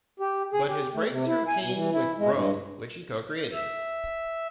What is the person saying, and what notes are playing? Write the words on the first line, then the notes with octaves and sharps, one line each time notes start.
But his breakthrough came with "Rome", which he co-created.
G4
G#4
G4
A3
C3
E4
G#5
B2
E3
E4
G#3
G2
E5